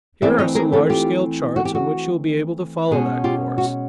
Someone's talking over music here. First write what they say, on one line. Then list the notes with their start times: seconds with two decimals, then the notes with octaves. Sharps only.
Here are some large-scale charts on which you'll be able to follow that course.
0.22 E3 A3 C4 D5 E5
0.39 C#5 D#5
0.55 G#4 A#4
0.72 G4 A4
0.89 F4 G4
1.56 F#4
1.65 G4
1.75 F#4
2.91 B2 G#3 C#4 F#4 G#4
3.24 F4 G4
3.58 F#4